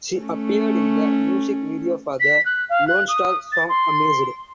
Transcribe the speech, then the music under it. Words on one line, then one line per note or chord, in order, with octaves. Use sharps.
She appeared in the music video for the Lonestar song Amazed.
A3 C#4
B6
F#6
F5
F#6
D#6
A6
C6